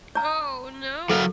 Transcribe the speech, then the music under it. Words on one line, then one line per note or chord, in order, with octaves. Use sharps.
Oh, no.
C#5 A#5
F#3 A4 A#4 F5